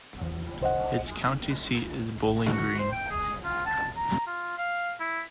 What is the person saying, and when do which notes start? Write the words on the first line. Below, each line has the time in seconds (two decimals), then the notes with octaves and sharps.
Its county seat is Bowling Green.
0.21 E2
0.61 C2 C5 D#5 F#5
2.51 F#4
2.79 C5
2.92 G5
3.10 G#4
3.44 F4
3.66 A5
3.96 A#5
4.26 F4
4.58 F5
5.00 E4